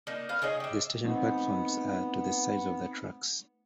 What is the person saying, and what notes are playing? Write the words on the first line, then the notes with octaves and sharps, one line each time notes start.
The station platforms are to the sides of the tracks.
A#3 D4 D#4
B3 F5
D#4 G#4 C#5 D#5
G4 E5
A3 B3 C4 D#4